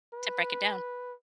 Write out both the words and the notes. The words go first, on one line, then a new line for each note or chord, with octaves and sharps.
To break it down.
B4